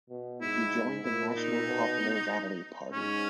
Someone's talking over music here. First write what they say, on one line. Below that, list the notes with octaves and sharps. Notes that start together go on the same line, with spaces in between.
He joined the National Popular Rally party.
B2
G#2 E4
A#2 E4
D#4
B2
G#2 C#4